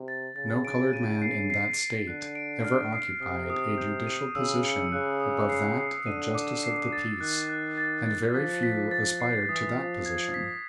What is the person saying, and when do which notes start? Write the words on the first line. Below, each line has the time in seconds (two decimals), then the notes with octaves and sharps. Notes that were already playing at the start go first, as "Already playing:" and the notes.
No colored man in that State ever occupied a judicial position above that of Justice of the Peace and very few aspired to that position.
Already playing: C3
0.08 A6
0.36 C#3 A6
0.65 D7
0.93 D#7
1.22 C7
1.50 C7
1.78 C7
2.07 D3 F#6
2.35 D7
2.64 F6
2.93 C7
3.21 C3 D#6
3.50 D#6
3.78 G6
4.07 D#7
4.35 C#3 E6
4.63 C#7
4.92 C#3 F#6
5.20 D#6
5.49 C7
5.77 C7
6.06 D3 D#7
6.35 D6
6.63 C7
6.92 A6
7.20 D#3 F#6
7.49 F#6
7.78 A6
8.06 A6
8.34 F3 B6
8.63 B6
8.91 A6
9.21 C7
9.49 E3 D#6
9.77 F3 A6
10.06 G#6
10.34 B6